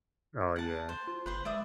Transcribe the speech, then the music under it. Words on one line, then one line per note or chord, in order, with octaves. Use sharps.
Oh yeah.
F#5 A5
C5
F4
G1 B4 C5 C6
G#3 D5 E5 D#6